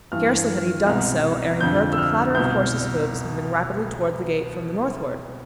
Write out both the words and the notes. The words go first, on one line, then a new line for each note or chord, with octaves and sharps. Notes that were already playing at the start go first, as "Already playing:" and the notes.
Scarcely had he done so ere he heard the clatter of horse's hoofs moving rapidly towards the gate from the northward.
G2 E3 F6
C2 B2
F2 D3 G6
E6
F6
C2 B2 G6